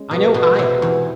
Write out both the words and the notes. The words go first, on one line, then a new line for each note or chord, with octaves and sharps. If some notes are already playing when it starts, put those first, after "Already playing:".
I know I have.
Already playing: G#3 C#4
B2
B2
C3
E2